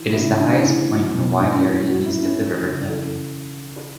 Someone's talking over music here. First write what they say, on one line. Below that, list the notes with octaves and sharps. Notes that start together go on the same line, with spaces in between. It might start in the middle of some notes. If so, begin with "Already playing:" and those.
It is the highest point in the wide area east of the River Cam.
Already playing: E3
C#3 E4
E3 D4
A2
F#3
B2
E3 D4
C#4
A2
F#3 F#4
E4
A2
C#4
E3
C#3
E3 A4